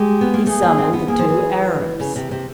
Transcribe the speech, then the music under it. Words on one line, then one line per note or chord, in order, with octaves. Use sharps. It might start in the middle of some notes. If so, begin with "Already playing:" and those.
He summoned the two Arabs.
Already playing: G#3 G4
B3
A#3
A3 G#4
A#3
C4
B3
A#3 G#4
F3
E3
C#3
C3
C3